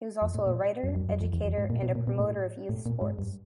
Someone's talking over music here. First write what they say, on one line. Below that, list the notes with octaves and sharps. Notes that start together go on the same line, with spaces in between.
He was also a writer, educator, and a promoter of youth sports.
F2
A2
A#2
F#2
F#2
F#2
F2
E2
F2
G#2
A#2
B2
A#2
B2
A2
A2
A#2
G#2
G2